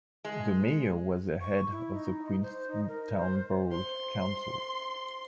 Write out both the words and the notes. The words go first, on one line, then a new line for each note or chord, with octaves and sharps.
The mayor was the head of the Queenstown Borough Council.
G#3
C#6
E4
D#4
C5
D#4
A#4
C5
C5 C6